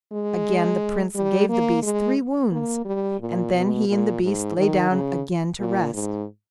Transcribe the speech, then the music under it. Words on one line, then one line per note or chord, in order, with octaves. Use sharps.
Again the Prince gave the beast three wounds, and then he and the beast lay down again to rest.
G#3
G3
A#3
G#3
A#3
G3
A#2
B2
A#2
G#2
D#3
C#3
A#2
G#2